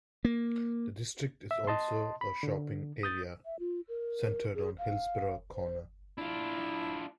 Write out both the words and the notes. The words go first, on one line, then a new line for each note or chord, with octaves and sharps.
The district is also a shopping area, centred on Hillsborough Corner.
A#3
E5
D#5 A5 C6
B5
D3
D#6 G6 A6
E5
F4
A#4
G#4
F5
C5
D4 E4 F4